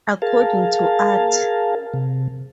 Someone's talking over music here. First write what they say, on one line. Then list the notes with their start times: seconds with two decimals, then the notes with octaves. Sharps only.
According to Art.
0.22 G#4 A#4 F5 A5
1.94 C3